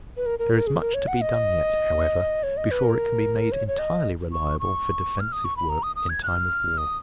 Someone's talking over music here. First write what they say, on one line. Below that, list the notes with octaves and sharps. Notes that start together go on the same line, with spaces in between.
There is much to be done yet, however, before it can be made entirely reliable for defensive work in time of war.
B4
A#4
A#4
A#4
G#4
A#4
C#5
F#5
D#5
C#5
D#5
B4
A#4
C#5
C#5
D#5
C#6
C#6
F6
D#6
C#6
B5
A#5
D#6
D#6
G#6
F#6
F6
D#6